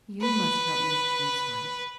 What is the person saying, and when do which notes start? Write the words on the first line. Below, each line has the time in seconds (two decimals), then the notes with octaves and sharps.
You must help me choose one.
0.22 B4